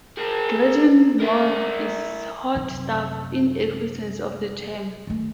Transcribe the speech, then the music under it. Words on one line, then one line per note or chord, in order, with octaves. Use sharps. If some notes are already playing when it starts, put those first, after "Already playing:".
Gretchen Mol is hot stuff in every sense of the term.
G#4 A#4
E4 A#4
F#2 C3
D#3 A3